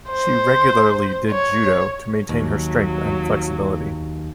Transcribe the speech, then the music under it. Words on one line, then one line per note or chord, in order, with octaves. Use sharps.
She regularly did judo to maintain her strength and flexibility.
C5
C#5
D#2 F#3